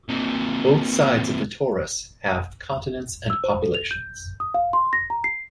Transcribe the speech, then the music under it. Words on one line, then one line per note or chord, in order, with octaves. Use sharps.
Both sides of the torus have continents and populations.
C3 A#3
E6
C5
A4
F7
G6
D#6
F5
C6
A#6
A#5
C7